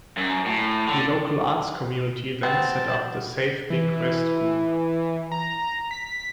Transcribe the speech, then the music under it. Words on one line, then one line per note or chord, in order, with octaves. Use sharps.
The local arts community then set up the Save Big West group.
F#2
A2
D3
B3 C4 A5
E3
A#5
B6